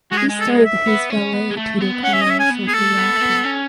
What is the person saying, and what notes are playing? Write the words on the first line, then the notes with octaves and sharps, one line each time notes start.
He started his vale tudo career shortly after.
G#3 F#4
G#4
G#3
A4
G#3
E5
B3
C#4
B3
G#3
A3
B3
C#4 F#5
E5
D#5
C#4 E5
G#5
B3
G#4
A3 A4
B3
A3
B3
C#4